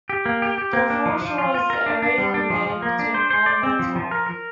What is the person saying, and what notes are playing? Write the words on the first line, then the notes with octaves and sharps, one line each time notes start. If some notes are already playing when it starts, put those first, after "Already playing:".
The foreshore is the area on land between high and low tide.
G4
A#3
G4
G4
A#3
D4
F3
F3
F4
F4
A#4
D4
D4
G3
D4
F3
F3
A#3
D4
C5
C5
D5
C4
F3
F3
A#4
A#4